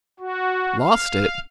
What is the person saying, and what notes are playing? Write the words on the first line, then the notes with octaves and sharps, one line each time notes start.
"Lost it?"
F#4
F5